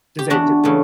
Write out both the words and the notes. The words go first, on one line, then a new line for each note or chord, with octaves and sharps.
Does it do
G4
E2 D4 F#4
C#3 E3 A3